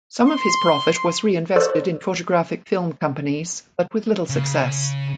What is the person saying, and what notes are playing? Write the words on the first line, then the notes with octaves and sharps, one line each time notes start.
Some of his profit was reinvested in photographic film companies but with little success.
C6
A4 C5 D5 C#6 E6 F#6
C#3